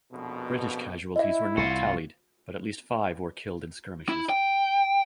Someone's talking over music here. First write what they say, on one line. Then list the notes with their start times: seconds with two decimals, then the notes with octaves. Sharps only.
British casualties were not tallied, but at least five were killed in skirmishes.
0.12 A#1 F2 B2
1.16 E4 D#5 E5
1.57 C2 F4 F#4
4.09 E4
4.30 G5